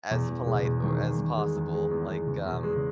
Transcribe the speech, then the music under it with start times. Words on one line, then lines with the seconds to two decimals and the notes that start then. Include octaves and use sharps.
as polite or as possible. Like, um
0.11 E2 B2
0.29 E2
0.47 B2 G#3
0.55 C#3
0.63 E2 B2
0.84 D#3
1.01 E2
1.19 D#3
1.38 G#3
1.56 E2
1.74 G#3
1.91 E2
2.10 E2
2.27 E2 C#3
2.46 E2
2.52 B2
2.63 G#3
2.76 C#3